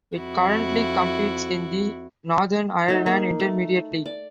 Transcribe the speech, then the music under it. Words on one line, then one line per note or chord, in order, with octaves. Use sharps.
It currently competes in the Northern Ireland Intermediate League.
F2 E4 F#4
F#3 A3 D#4
A#3 G#4 C#6
A3
D5